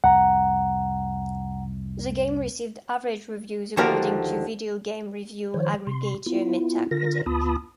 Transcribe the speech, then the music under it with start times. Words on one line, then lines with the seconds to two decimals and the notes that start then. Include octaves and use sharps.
The game received "average" reviews according to video game review aggregator Metacritic.
0.04 C2 F2 F#5 A#5
3.77 D#2 D3 F3 F#4 A#4 F5
5.54 D#3 F3 C5 C#5
5.87 C3 C6
6.26 B3 E4 F4
6.91 D3 F4 A#4 A#6
7.26 D2 B3 F4 A5 B5 D#6